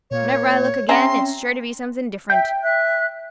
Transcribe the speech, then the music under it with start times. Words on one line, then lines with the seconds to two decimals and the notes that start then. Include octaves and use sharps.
Whenever I look again, it's sure to be something different!
0.11 A#2 A#3 C#5
0.89 C4 C#4 G#4 E5 A#5 C6
2.30 E5 G5
2.63 E5 F#6